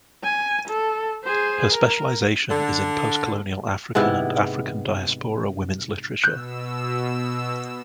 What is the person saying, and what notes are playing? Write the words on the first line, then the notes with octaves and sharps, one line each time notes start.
Her specialization is in postcolonial African and African Diaspora women’s literature.
G#5
A4
G#4 C5
A#4
D3
G#2 C3 B3 E4
B2 E6 F#6 G6